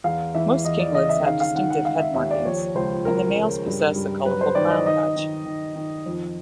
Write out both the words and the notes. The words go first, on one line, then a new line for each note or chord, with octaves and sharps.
Most kinglets have distinctive head markings, and the males possess a colourful crown patch.
E2 F5
E3 E5
E2 D#5
D5
C#3 D#5
E5
D#3 F5
F5
D#3 F#5
F#5
D#3 F5
E5
D#2 E5
D5
F3 C#5
C#2 C5
C#2 A#4
C#3
G2
G2
F#3 B4
C5
D#3 D5
D#5
D#3 D#5
D#3
D#3
D#3
F2